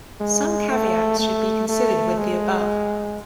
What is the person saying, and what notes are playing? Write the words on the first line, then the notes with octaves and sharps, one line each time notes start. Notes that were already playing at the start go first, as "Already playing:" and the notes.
Some caveats should be considered with the above.
G#3
A3
A3
A3
G#3